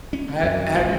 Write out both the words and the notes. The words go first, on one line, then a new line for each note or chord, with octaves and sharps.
ha have you
C#4
F#2
A1 E3 F3